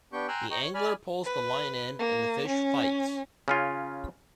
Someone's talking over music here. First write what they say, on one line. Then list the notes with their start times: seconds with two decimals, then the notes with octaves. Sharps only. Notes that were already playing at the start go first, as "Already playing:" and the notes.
The angler pulls the line in and the fish fights.
0.13 B3 D4 G4 C#6 G6
0.28 G5 G#5 A#5 C6 E6 F#6
0.51 D#5 G5 A#5 C#6
0.63 C#5
0.74 D5 G#5 B5 F6
1.24 B4
1.98 A#3
2.48 C#4
3.48 C#3 C#4 F4